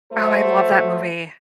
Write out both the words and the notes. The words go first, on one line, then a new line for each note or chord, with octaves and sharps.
Oh, I love that movie.
F#3 A3 A4 C5